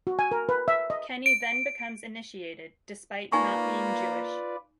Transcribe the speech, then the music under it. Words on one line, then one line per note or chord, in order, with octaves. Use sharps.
Kenny then becomes initiated, despite not being Jewish.
F#4
G#5
A#4
B4
E5
D#5
D7
A#3 D#4 F4 B4 D5 G#5 C#6